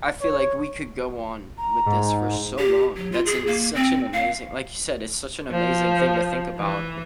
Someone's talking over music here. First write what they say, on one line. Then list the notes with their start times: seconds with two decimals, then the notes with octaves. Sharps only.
I feel like we could go on with this for so long. That's an such an amazing like you said, it's such an amazing thing to think about,
0.21 C#5
1.58 A#5
1.86 G#2
2.59 G4
2.97 F#3
3.12 F4
3.26 G#4
3.47 A#3
3.75 C4
4.14 F5
5.51 F3
6.59 E3